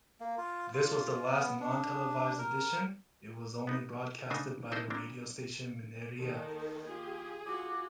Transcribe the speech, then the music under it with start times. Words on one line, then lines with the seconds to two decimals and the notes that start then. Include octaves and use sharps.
This was the last non-televised edition, it was only broadcasted by the radio station Minería.
0.20 A#3
0.38 F4
0.74 F4
1.32 B3
1.60 D4
2.38 A#4
3.67 B3 D#4
4.30 C#3 A3 D4 D#4 C5 G#5
4.72 C4 D#4 E4 A4 C5
4.90 A#3 C4 D4
6.17 D#2 D#3 A4
6.88 F4 G4 G#4
7.46 F4 F#4 D6